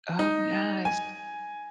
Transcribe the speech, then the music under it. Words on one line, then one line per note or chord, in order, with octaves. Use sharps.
Oh, nice.
D#4
G#5